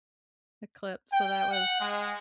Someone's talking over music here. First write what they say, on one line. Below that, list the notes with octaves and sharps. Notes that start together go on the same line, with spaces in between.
eclipse, so that was
G5
F#5
G#3